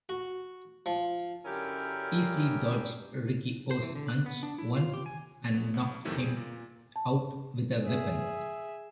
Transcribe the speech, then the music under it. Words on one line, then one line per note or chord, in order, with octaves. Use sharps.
Easily dodged Riki-Oh's punch once, and knocked him out with the weapon.
F#4
F3
F#2 D3 C#4 E4 G4 A#4
C5
E3
D3
F#6
B3
D4
E4
F4
G4
G#5
A3 B3
B1
F2 C3 D#3 E3 F#3 A3
G3 C4 G#4
A#2
A5
G#4 E5